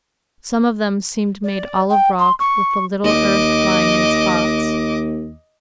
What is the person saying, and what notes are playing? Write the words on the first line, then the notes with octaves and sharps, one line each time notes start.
Some of them seemed made all of rock, with a little earth lying in spots.
D5
G5
C6
C#6
D#2 D#5 D6